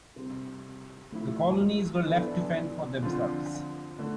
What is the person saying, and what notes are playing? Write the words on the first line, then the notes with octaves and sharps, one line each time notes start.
The colonies were left to fend for themselves.
C3 G3 C4
F3 A3 E4 A4
E3 B3 D4 A4
D3 F3 C4 F4
D3 A3 D4